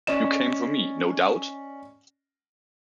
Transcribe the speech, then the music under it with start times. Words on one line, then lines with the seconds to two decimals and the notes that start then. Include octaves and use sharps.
You came for me, no doubt?
0.07 C#4 D5 D#5 E7